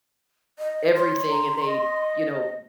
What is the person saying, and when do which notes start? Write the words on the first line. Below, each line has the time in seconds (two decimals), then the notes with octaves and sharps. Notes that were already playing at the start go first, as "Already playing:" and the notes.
everything and they, you know
0.59 D#5
0.95 C#5 C6
1.30 A#5
1.66 D#5